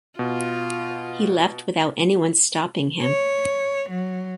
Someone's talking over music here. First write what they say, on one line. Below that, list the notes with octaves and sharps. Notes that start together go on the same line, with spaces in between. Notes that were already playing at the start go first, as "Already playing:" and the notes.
He left without anyone stopping him.
B2 F4
C#5
F#3